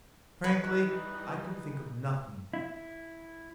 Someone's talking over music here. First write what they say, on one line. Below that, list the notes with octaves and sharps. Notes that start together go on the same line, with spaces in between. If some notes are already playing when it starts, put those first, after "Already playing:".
Frankly I could think of nothing.
E3 G3 D#4 B4
E4